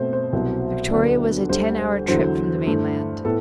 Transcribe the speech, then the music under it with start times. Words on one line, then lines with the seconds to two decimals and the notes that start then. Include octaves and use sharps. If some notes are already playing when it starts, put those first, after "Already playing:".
Victoria was a ten-hour trip from the mainland.
Already playing: B2 A3 C4 C5
0.13 C5
0.33 C2 B2 F#3
0.91 D2 D3 F#3 B3 D5
1.49 D2 D3 G3 C5
1.79 C5
2.08 E2 D3 F#3 C5
2.67 G2 E3 A3
3.25 A2 B3 A4